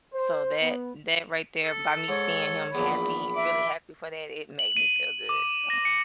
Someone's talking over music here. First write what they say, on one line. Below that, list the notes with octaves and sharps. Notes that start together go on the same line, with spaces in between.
So that that right there, by me seeing him happy really happy for that it made me feel good. So
C5
B3
A4
G#2 C#5
A#1 E2 B5
E5 D6
F#7
D#7
D6
A#6
C#7